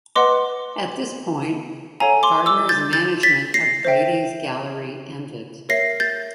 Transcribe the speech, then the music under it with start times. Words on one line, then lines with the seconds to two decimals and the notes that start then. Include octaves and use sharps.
At this point, Gardner's management of Brady's gallery ended.
0.15 B4 D#5 F#5 C6 D6
2.00 A4 C#5 F5 G#5 A#5
2.23 C6 D6
2.46 D6 E6
2.69 G6 A6
2.93 G6 A6
3.23 A6 B6
3.54 A#6 C7
3.85 C5 E5 G5
5.69 A#4 C#5 E5 A#6 C7
6.00 G6 A6